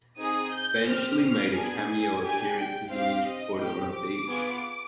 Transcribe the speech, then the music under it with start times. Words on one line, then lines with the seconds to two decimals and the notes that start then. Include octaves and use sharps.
Benchley made a cameo appearance as a news reporter on the beach.
0.18 C4 D#4 G#4 D#6
0.52 G6
0.86 C4 G4 F6
1.21 F6
1.55 B3 D4 G#4 G#5
1.88 G#5
2.23 D4 G4 G#5
2.58 G5
2.91 C4 G4 F5
3.26 D#5
3.60 C4 G4 G5
3.94 D6
4.28 B3 F4 G#4